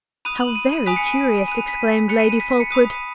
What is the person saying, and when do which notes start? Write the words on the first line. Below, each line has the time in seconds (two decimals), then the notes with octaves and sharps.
"How very curious!" exclaimed Lady Fulkeward.
0.25 B5 D#6 F#6 D#7
0.40 F#7
0.56 D#7
0.71 D#7
0.86 G#5 B5 D#6 F#6 B6
0.96 C#7
1.07 D#7
1.17 D#7
1.48 B5 D#7
1.52 F#6
1.58 D#7
1.68 B6
2.09 B5 F#6 C#7
2.19 D#7
2.29 D#7
2.40 B6
2.50 B6
2.60 C#7
2.71 B5 D#6 F#6 D#7